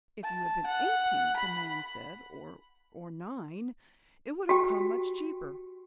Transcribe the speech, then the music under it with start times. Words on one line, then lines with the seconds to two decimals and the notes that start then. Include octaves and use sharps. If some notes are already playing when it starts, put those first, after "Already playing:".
If you had been eighteen, the man said, or--or nine, it would have come much cheaper.
0.24 A5
0.66 F#5
1.36 B5
4.49 F#4 G4 G5